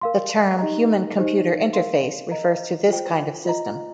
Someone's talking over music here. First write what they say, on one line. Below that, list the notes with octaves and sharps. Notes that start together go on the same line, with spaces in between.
The term "human-computer interface" refers to this kind of system.
A#4 F5 C6
D#4 G4 D#5 A#5
D#4 G4 C5 D#5
A#4 F5 C6
A#4 D#5 A#5
F4 C5 G5
F4 D#5 A#5